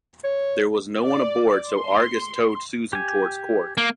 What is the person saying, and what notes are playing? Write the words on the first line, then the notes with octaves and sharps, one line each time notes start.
There was no one aboard so "Argus" towed "Susan" towards Cork.
C#5
D5
C6
G4 G#5
A#3